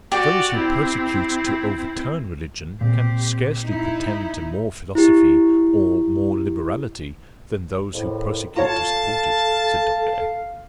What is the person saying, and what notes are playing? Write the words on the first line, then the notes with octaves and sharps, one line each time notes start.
"Those who persecute, to overturn religion, can scarcely pretend to more philosophy, or more liberality, than those who persecute to support it," said Dr. X----.
F#4 G4 D5
C4 E4
A#2 C4 G4
D#4 E4
E4 G4
C2 F2 A2
F4 A4 C#5 F5 A5